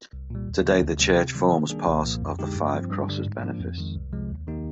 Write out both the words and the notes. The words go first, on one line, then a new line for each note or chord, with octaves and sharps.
Today the church forms part of the Five Crosses benefice.
C2
A#2 G3
D#2
D3 F3 A#3
D2
C3 G3 C4
C3
D#3 G3
D#3
G3 A#3 D4 G#4
C2
A#2 F3 A#3
F2
D3 G#3 D#4 G4
G2
F3 C4
G2
D3 G3 D4
G#2
F3 A#3 D4
F2
D#3 G#3
C2
C3 F3 G#3
D#2
D#3 A#3 D#4 G4